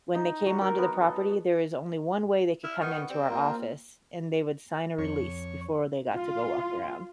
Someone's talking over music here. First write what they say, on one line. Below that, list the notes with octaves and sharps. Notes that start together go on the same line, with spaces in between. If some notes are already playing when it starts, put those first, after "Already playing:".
When they came onto the property, there is only one way they could come into our office, and they would sign a release before they got to go walk around.
D#4
F#3
A#4
B3
A4
E4 F6
D#3 B3 C#6
G3 C4
A#3 F4 A#4
F2 C#5
F4